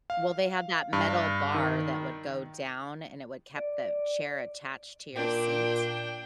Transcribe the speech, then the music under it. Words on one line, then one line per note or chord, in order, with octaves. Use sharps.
Well, they have that metal bar that would go down, and it would kept the chair attached to your seat?
F5
G2
D#3
D5
A#2 D4 G5